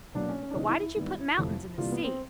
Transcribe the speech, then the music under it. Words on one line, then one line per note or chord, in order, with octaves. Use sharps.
"But why did you put mountains in the sea?"
B2 F#3 A#3 D4
C#4
C#4
D4
C3 E3 G#3 B3 D#4
E4
E4
G#2 D#3 G3 B3
F2 C3 E3 A3
C3 E3 G3 A#3 F4
B3
C4